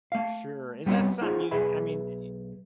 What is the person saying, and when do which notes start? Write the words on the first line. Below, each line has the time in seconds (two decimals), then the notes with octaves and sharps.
Sure. Is that something you, I mean,
0.12 A3 F5
0.86 G3 B3 C4 D#4 F#4 C#5
1.21 D#4 F4 F#4 G#4 C5
1.51 B1 G#4 B4 E5 B5